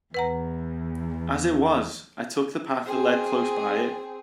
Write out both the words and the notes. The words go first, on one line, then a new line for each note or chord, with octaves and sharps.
As it was, I took the path that led close by it.
E2 B4 F#5 A#5
C4 G#4